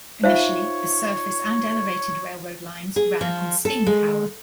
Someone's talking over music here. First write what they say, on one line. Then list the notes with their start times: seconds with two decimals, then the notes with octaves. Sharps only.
Initially the surface and elevated railroad lines ran on steam power.
0.24 D#4 F4 C5 C#5 E5 F5
2.96 G#4
3.21 F3
3.65 A4
3.87 G#3